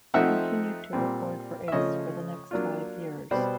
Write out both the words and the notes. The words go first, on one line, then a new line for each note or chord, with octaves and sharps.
He continued to record for Ace for the next five years.
F3 A3 C4 D#4 E5 F#5
A#2 G3 C4
E5
C#3 F3 A3 C#5 D#5
F#3 A#3 D4 F4
B2 G3 B3 C5 D5